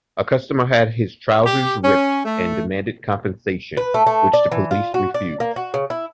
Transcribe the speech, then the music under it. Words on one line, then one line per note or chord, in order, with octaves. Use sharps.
A customer had his trousers ripped and demanded compensation, which the police refused.
G4
C#4
A3
B4
A3
A3
D5
E3
F4
F#4
D5
A#3
F#4
C#3
E4